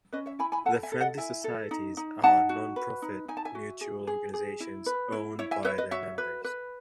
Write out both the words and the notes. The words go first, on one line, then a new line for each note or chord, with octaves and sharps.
The friendly societies are non-profit mutual organisations owned by their members.
C#4 B4 D#5
C#5 E5
E4 G#5 B5
G#5 B5
A4 F#5 A5
E5 G#5
A4
D#5 F#5
E4 E5 G#5
A4
D#4
D#4
D#4 F#5 A5
F#4
B4
D#4
D#4 G#5
A5
E5 G#5
F#4
G#4
G#4
G#4
E4
B4
E4
E4 C#5 E5
E5 G#5
B4 C#5 E5
B4 D#5
F#4 C#5 E5
B4
B4